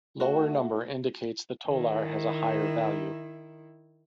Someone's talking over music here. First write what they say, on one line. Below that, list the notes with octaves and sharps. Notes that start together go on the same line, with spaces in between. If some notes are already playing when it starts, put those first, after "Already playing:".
Lower number indicates the tolar has a higher value.
A3 F#4 E5 F#5
D#3 E4